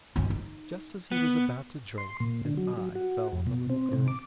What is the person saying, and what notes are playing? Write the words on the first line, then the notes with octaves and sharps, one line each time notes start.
Just as he was about to drink, his eye fell on the little girl.
G2 C#4
D#4
B3
C6
A#2
D3
F#3
F#3
F#4
F2
B2
C4
C3
D6